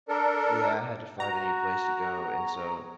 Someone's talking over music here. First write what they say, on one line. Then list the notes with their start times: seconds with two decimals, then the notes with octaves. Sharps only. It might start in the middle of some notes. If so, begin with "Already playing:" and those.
yeah, I had to find a new place to go, and so
0.09 D4 A4 A#4
1.20 F#4 A#5
2.17 B3 G#4 C#6